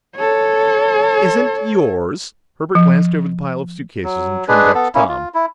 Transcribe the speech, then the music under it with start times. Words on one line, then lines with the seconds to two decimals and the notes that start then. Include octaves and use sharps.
"Isn't yours?" Herbert glanced over the pile of suitcases and turned back to Tom.
0.16 A4 C#5
2.75 F3
4.04 F#3
4.48 G#3 D4 G#4 B4
4.75 B3 A4
4.95 A#3 C#4 E4
5.09 F4
5.34 E4